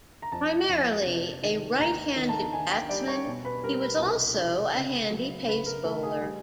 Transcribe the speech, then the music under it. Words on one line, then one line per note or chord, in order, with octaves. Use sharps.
Primarily a right-handed batsman, he was also a handy pace bowler.
A#5
F2 A5
F2
C3
D#3
D#2 A#5
D#3
A5
D#3 G#5
G5
G3 D5
C#5
B2
B4
G3 A#4
B4
C2
C2
C#3
F#3
C#3 B4
A#4
A3 A4
G#4
G3